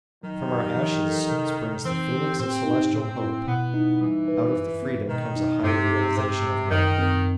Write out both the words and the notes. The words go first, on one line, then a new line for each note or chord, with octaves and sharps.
From our ashes springs the phoenix of celestial hope, out of the freedom comes a higher realisation of manhood.
D#3 F#3
G4
E3
A4
C3
D#4
E3 C4
G4
A2 C4
D#4
A2 C4
E4
B2 B3
D#4
E3 G3
B4
G2
B3
B2 D#3
D#4
G2 C3
G2
A2 C3
A2
F#2 D#3
C4